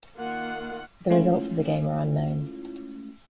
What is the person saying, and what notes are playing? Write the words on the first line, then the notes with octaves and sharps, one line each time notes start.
The results of the game are unknown.
D#3 A#3 F4 F#5
G#3 A3 C#4 E4 F4